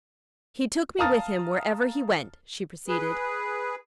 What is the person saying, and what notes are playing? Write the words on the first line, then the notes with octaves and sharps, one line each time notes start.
"He took me with him wherever he went," she proceeded.
F5 A5 A#5 D#6 F6 A6
G#4 B4